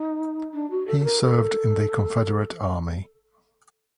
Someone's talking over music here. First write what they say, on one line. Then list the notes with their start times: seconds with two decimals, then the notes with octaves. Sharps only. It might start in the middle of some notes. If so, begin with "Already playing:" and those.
He served in the Confederate Army.
Already playing: D#4
0.54 D4
0.71 F#4
0.88 A4
1.00 A4
1.04 A#4
1.22 A4